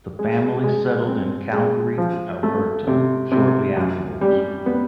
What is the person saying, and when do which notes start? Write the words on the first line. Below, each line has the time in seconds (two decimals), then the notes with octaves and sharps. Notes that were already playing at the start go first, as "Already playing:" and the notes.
The family settled in Calgary, Alberta shortly afterwards.
0.19 G#3
0.63 G#3
1.08 C4
1.53 G#3
1.98 F3
2.43 A3
2.87 C3
3.32 C3
3.76 F#2
4.21 G3
4.66 B3